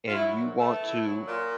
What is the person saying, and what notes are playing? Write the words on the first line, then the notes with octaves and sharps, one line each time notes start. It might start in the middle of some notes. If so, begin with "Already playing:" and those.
and you want to,
F4
F#3 E4
A#2
A3 B3 A4
E4
F#3
A#2